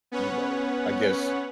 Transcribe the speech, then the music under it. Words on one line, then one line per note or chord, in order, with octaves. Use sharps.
you know I guess
B3 C#4 B4 C#5 F#5